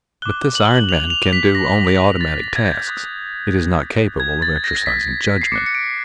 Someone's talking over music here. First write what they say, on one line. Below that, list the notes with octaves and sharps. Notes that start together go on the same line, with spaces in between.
But this iron man can do only automatic tasks; it is not capable of exercising judgment.
D6 F#6 G7
F#7
G7
F#7
F7
F7
B6
A#6
A6
G#6
G6
D#6 F#6
G#6
A6
A#6
B6
C7
D6 F#6 C#7
C#7
D7